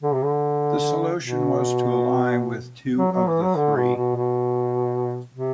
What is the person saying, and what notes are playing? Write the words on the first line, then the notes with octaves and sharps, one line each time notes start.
The solution was to ally with two of the three.
D3
C3
D3
B2
F#3
F#3
E3
F#3
D3
B2
B2
B2
C3